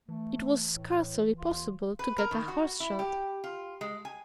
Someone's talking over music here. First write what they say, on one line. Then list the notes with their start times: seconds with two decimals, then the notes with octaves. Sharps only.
It was scarcely possible to get a horse shod.
0.09 E3 A3
0.75 A2
1.38 D#2 F4
1.99 B4
2.18 A#4
2.31 D#3
2.48 F#4
2.80 E4
2.99 G4
3.44 F4
3.81 G#3
4.05 G#5